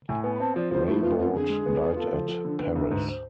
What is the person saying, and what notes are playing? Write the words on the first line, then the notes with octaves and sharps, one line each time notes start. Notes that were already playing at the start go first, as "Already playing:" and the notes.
Reybaud died at Paris.
A2 G#5
B3 G#5
B5
C4 A5
F3 D5
F3 C5
A3 E4
B3 F4
F2 F4
D3 G#4
G#3
B3
B3
F4 A4
F3
F3
D3
D3 B4
D2 B4
G#2 B4
C5